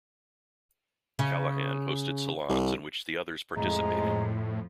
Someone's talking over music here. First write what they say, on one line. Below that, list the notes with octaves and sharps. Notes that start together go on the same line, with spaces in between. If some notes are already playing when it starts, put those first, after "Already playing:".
Callahan hosted salons in which the others participated.
C#3
C2
F2 A2 F3 G#3 A#5